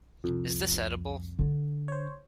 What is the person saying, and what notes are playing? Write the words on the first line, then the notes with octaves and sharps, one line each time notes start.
Is this edible?
C2 F2
D3 D4
C5 C#5